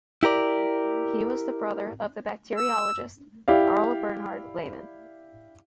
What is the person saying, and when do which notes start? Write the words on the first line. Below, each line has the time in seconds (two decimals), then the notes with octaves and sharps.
He was the brother of the bacteriologist Karl Bernhard Lehmann.
0.23 E4 G4 A#4 D5
2.57 E6
3.48 E4 G4 D5 F5